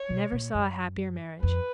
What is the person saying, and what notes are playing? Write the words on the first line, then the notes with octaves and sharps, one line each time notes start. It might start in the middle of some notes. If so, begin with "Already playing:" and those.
"Never saw a happier marriage."
Already playing: C#5
B2
A#2
F#2
F2 B4